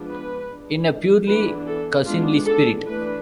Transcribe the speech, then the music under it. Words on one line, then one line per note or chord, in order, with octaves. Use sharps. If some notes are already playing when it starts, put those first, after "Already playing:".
In a purely cousinly spirit.
Already playing: F3 G#3 B3 D4
B4
G#3 D4
E3 B3 D4 B4
A4
G#3 B3 D4 F4
A4
E3 A3 D4 B4